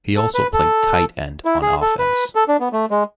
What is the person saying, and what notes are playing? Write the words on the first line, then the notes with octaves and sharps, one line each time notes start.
He also played tight end on offense.
A4
B4
A4
E4
G#4
A4
B4
A4
D4
B3
A3
G#3